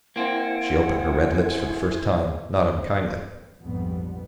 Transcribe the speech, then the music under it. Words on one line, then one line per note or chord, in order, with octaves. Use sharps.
She opened her red lips for the first time, not unkindly.
A#3 C4 E4 C5 F#5 G#5
A#1 F2 G#2 G3 B3